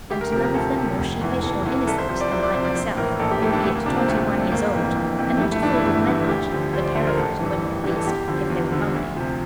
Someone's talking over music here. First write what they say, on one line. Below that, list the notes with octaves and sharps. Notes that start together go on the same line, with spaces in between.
And none of them more sheepish or innocent than I myself, albeit twenty-one years old, and not afraid of men much, but terrified of women, at least, if they were comely.
D2 G4
A#4
C3 F3 A#4
A#4
D2 A4
C3 F3
F1
E2 E3
F1 A4
E2 E3
C2 A4
C5
C3 F3 C5
D5
C2 C5
D5
C3 F3 C5
D5
A#1 C5
A2 E3 A#4
A#1 A4
G4
A2 E3
D4
D2 A3
A#3
C3 F3 D4
C4
D2 A3
C3 F3
G1 A#3
F2 E3
G1
F2 E3
A3
G1 G3
A3
G2 E3 D4
E4
G1
G2 E3
D2 G4
D3 F3
D2 C5
D5
D3 F3 C5
A#4
A1 A4
G2 E3
A1
G2 E3
A4
E2 G4
D3 F3
E2
D3 F3
D2
C3 F3